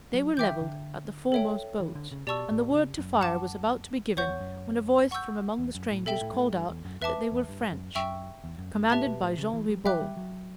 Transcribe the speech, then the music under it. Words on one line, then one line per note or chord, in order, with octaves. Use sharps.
They were levelled at the foremost boats, and the word to fire was about to be given, when a voice from among the strangers called out that they were French, commanded by Jean Ribaut.
F#3
E3 E5 G5 D6 G6
D3
A4 C#5 E5 G5
E3
D3
C#3
B2 G4 D5 A5 C#6 E6
A2
B2
C#3
F#2
G2
F#2 F#5 A5 D6
E2 C#5 F#5 C#6 G6
E2
F#2
F#5 C#6 E6 G6
E2
F#2
A2
B2 A4 E5 G5
A2
G2
A2
G2
E2
F#2
E2 B4 E5 A5 D6
E2
G2
F#2
F#2 E5 G5 C#6 E6
E2
F#2
G2
A2 G4 B4 E5 A5
B2
A2
C#3
E3
G3
F#3 E5 G5 D6 F#6
G3
F#3